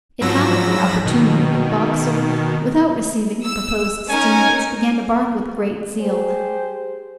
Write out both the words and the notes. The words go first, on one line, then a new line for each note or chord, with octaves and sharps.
It happened opportunely that Boxer, without receiving the proposed stimulus, began to bark with great zeal.
G#2 F3 F#3 B5 E6 A#6
B2 D#3
E6
C#4 D#4 A#4 G#5
G4 G#4 C5